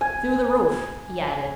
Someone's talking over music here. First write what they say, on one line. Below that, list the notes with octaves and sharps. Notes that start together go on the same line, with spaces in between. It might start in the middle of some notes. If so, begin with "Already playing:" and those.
"Through the roof," he added.
G#5